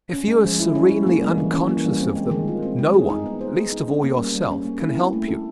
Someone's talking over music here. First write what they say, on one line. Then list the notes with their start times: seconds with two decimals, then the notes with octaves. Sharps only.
If you are serenely unconscious of them, no one--least of all yourself--can help you.
0.13 C#4
0.28 G#3
0.45 F3
0.60 E4
0.75 C#4
0.91 G#3
1.07 A#3
1.22 G3
1.38 E3
1.54 C#4
1.69 A#3
1.85 G3
2.00 C4
2.15 G#3
2.31 D#3
2.48 F4
2.63 C4
2.79 G#3
2.94 G#4
3.10 D#4
3.26 B3
3.41 C5
3.56 G#4
3.72 D#4
3.88 C#4
4.03 A#3
4.19 G3
4.35 G3
4.51 C#4
4.65 A#3
4.81 E4
4.97 C4
5.13 A3
5.28 A4